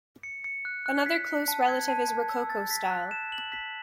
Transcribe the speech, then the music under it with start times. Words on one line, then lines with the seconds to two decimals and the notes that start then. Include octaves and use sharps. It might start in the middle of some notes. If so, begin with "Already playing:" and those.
Another close relative is rococo style.
0.23 C#7
0.44 C#7
0.65 F#6
0.86 F#6
1.06 B6
1.26 F#6
1.48 A5
1.68 G#6
1.88 A5
2.09 A5
2.29 E6
2.50 A6
2.71 B6
2.91 F#6
3.11 E7
3.32 F#7
3.52 B6